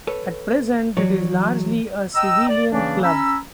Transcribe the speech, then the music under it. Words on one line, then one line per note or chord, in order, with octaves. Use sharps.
At present, it is largely a civilian club.
A4 B4 C#5
E3 F#3 C#5 D5
D#5 G5 A#5 E6
D5
C#3 E3 A#3 C#4 D4
C#4 A#5 B5 E6